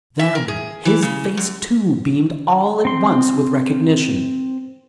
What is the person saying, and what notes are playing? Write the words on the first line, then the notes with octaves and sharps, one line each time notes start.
Then his face, too, beamed all at once with recognition.
E5
A#4
G#4
E3
C#3
F#2
C4 C6